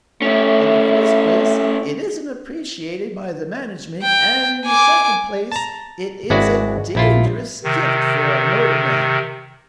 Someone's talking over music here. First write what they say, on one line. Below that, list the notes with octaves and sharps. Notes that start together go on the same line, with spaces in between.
In the first place it isn't appreciated by the Management and in the second place it is a dangerous gift for a motor-man.
A3 C#4 E4
G5
G#5 D6
A5 A#5
G#1 G#3 E4 F#4 D5
A#1 E4 F4
C3 D#3